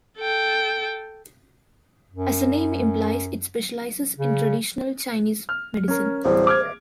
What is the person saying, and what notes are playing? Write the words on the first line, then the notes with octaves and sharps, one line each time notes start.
As the name implies, it specializes in traditional Chinese medicine.
A4 G5
F#2
C#3
F6
C#4 A#4
D1 E3 G3 C5
D6 F6 G#6